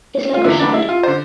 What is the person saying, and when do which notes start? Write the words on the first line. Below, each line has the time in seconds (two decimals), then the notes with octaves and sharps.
His leg was shattered.
0.34 F4
0.44 E2 D3 E4
0.59 D4
0.74 E4
0.89 F4
1.03 D3 C5